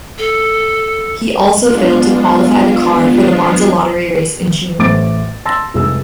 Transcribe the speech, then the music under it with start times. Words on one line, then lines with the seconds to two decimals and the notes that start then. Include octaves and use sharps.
He also failed to qualify the car for the Monza Lottery race in June.
0.18 A4
1.62 G#3 B3 D4 F4
4.79 A1 A3 C5 D6 A6 D7
5.45 A5 C6 E6 A6 A#6
5.74 F1 C2 G#2 G#4 E6